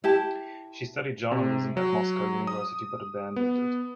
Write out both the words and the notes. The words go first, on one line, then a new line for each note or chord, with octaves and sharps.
She studied journalism at Moscow University, but abandoned it.
E4 G4 A5
C3
F#3
D#6
B3